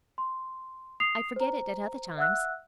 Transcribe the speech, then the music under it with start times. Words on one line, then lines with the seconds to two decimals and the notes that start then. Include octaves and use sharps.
I forget it at other times.
0.18 C6
1.00 D#6 C7 F7
1.36 C5 A#5
2.17 E5 F#5 E6 F#6